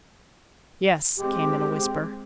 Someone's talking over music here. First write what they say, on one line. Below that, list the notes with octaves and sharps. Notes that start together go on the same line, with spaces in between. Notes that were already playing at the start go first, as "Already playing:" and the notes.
"Yes," came in a whisper.
G#3 C4 G4